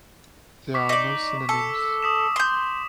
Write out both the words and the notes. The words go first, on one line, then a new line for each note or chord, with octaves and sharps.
There are no synonyms.
C#6 D6 B6
D#4 D5 D6 B6
A4
D#6 B6 E7
C6 G6